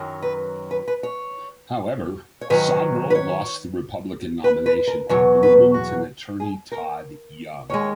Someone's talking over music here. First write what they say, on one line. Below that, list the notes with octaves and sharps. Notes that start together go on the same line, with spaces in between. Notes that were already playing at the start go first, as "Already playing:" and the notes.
However, Sodrel lost the Republican nomination to Bloomington attorney Todd Young.
Already playing: F#2 D#3 F#3
B4
B4
B4
C#5
C#5
G#2 D#3 F#3 B4
B4
C#5
B4
B4
A#4
E2 B2 F#3 C#5
B4
F#4
G#4
A#4
D#2 D#3 G#3 C#5